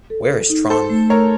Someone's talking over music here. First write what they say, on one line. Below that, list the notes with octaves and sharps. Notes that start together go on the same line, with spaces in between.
Where is Tron?
A4
A4
D#4
D#4 A4 C5
A3
A3 A#4 C#5